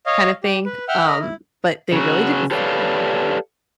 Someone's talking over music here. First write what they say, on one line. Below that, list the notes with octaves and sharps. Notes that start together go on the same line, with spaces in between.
kinda thing, um, but they really didn't
C#5 D#5 F5
G4
B4
E5 F#5 G5 F6
A#4 D#5 B5 F6
E4
C#3 F#3 F#4
G4 A4 B4 C#5 D5 F5